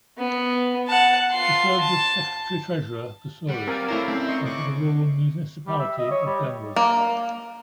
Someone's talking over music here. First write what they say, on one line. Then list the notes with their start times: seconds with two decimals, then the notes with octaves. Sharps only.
He served as secretary-treasurer for Souris and for the Rural Municipality of Glenwood.
0.18 B3
0.88 F#5 A5
1.32 F4 C6
1.81 A5
3.49 G3 F#5
3.67 C4 A#4 D5 F5 G#5
3.89 A3 E4 C5 C#5 A#5
4.08 A3 C4 C#4
4.28 D#4 D#5 C6 C#6
4.45 C#3 C#6 D6 F#6
5.67 G3
5.79 E5
5.98 D#5
6.11 C#5
6.26 G3
6.76 A#3